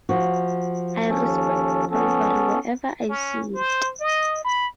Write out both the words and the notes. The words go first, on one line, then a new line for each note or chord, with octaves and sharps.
I respect bravery wherever I see it.
F3 F#4
D#2 C#4 A4
B3 C#4 A4
C#4
C5
D#5
B5